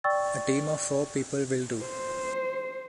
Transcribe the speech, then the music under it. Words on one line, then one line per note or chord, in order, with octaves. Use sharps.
A team of four people will do.
D5 G5 C#6 E6 A6
C5